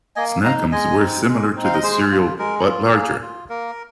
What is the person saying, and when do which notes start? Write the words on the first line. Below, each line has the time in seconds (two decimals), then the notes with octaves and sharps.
Snack Ums were similar to the cereal but larger.
0.16 A#3 D#5 G#5
0.44 D#4 F5 A#5
0.72 G#3 D#5 G#5
0.99 C4 D#4
1.28 G#3
1.55 C4 D#4
1.64 F5
1.74 D#5
1.82 G#3 G#4 C5
2.11 F4
2.39 G#3 A#4
2.66 F4
2.94 A#3 G#4
3.22 F4
3.49 A#3 A#4